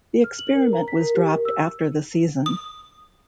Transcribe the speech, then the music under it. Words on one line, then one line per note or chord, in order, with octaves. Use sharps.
The experiment was dropped after the season.
F6
F#7
A#4
A#5
B6
A#4
G4
A#4
E6
D#6